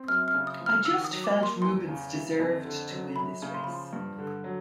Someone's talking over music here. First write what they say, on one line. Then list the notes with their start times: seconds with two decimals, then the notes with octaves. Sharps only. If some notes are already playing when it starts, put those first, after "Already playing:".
I just felt Rubens deserved to win this race.
Already playing: C4
0.08 F#2 F6
0.28 F6
0.34 C#3
0.47 D#6
0.60 F3
0.66 F6
0.85 D#3 E6
1.05 D#6
1.11 F#3
1.24 D6
1.36 A#3
1.43 C6
1.62 E2 C6
1.88 C#3
2.14 E3
2.39 F2
2.65 D3
2.90 F#3
3.16 F#2 B5
3.42 C#3
3.54 C6
3.64 F3 B5
3.74 C6
3.93 G2
4.18 D3
4.44 F#3